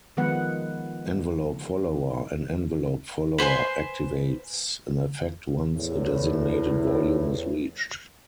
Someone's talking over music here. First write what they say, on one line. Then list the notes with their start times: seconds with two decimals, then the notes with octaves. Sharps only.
Envelope follower: An envelope follower activates an effect once a designated volume is reached.
0.17 D#3 F3 G#3 B3 B4 F#5
3.38 B4 C5 G#5 C6
5.76 E2 A2